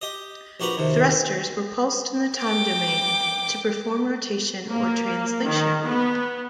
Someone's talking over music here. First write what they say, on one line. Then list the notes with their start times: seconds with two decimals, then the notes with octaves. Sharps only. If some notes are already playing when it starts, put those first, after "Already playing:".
Thrusters were pulsed in the time domain to perform rotation or translation.
0.02 G4 D#5
0.60 A#1 F#4 G4 B4 A#5
0.77 D#2 C3
2.39 G5 D6
4.70 A#3
5.45 D#3
5.85 B3